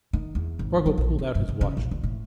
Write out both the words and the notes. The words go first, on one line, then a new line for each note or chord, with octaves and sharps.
Spargo pulled out his watch.
D#3
E2
G#1
F#3
A#1
D3
G2
C#3
C#3
A1
C#2
A2